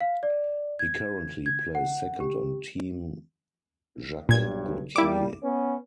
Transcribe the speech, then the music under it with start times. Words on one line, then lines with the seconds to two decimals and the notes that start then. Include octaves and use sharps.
He currently plays second on Team Jacques Gauthier.
0.01 F5
0.23 D5
0.79 G#6
1.46 G#6
1.75 F#5
2.20 G4
4.29 B1 G2 A#2 G#6
4.96 G3 A#3 E4 D6
5.44 B3 C#4